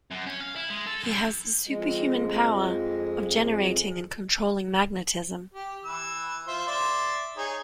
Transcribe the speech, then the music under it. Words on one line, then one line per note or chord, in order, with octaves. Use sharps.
He has the superhuman power of generating and controlling magnetism.
F#2
C#4
F5
E4
G#3
A4
F#2
F2 G#3
G4
E3 E6
F4 C5 E5
D5 E5 C6
D#4 G#4 C#5